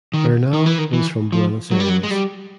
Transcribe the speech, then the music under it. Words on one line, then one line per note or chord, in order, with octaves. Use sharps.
Bernal was from Buenos Aires.
D#3
D#3
E3
D#3
E3
F3
F#3
G3
F#3
G#3
G3